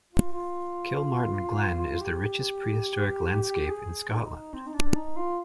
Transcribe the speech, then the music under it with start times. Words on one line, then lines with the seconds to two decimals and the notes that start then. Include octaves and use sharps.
Kilmartin Glen is the richest prehistoric landscape in Scotland.
0.13 F4
0.33 F4
2.01 G4
3.69 G#4
4.11 D#4
4.54 C4
4.67 D#4
4.74 D4
4.96 D#4
5.17 F4